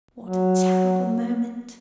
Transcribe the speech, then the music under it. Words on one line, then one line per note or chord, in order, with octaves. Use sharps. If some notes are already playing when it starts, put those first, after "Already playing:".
"What a terrible moment!"
F#3